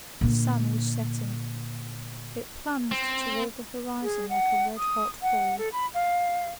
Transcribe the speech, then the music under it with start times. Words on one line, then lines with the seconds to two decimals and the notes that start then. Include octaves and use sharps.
The sun was setting; it plunged towards the horizon like a redhot ball.
0.21 A#2 D3
2.92 C4
4.02 G#4
4.29 F#5
4.78 D#6
5.22 F#5
5.58 A4
5.72 B5
5.94 F5